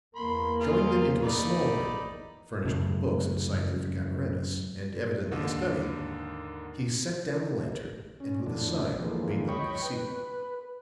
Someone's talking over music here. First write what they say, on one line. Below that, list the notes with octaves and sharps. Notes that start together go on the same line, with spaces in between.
Showing them into a small room furnished with books and scientific apparatus and evidently a study, he set down the lantern and with a sign bade them be seated.
E2 A#3 B5 C6
F4 G#4 C6
D#4 D5 B5
F#2 A2 C#3 A3
D#2 G#2 D3
C#4
F2 A2 D3 D4
D3 E3 F3 G#3 A#3
C#5 D#5 G5 B5 C#6
B4